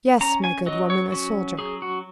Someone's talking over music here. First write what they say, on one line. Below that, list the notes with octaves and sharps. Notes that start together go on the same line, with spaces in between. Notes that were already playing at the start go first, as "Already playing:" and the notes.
"Yes, my good woman, a soldier."
C#4 A#5
G#5
F#3 D#5
C#5
C#4 F#4
F#3 G#4
F#4